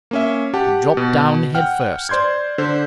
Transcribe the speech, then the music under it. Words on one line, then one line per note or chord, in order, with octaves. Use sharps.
He dropped down head first.
A#3 C#4 E5
G4 F#5 A5
B2
F#5 G5 F6
C5 D5 C6 G6 G#6
D3 C5